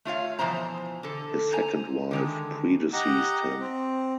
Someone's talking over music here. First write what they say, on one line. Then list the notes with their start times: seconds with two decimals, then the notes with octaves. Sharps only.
His second wife predeceased him.
0.05 A3 F4 C#5 F5
0.39 B2 E3 F3 C5 A#5
1.03 D3 A4
1.52 C5 G#5 A#5
2.11 D3 D#3 G#3
2.93 G4 D#5 F#5 A#5
3.60 C4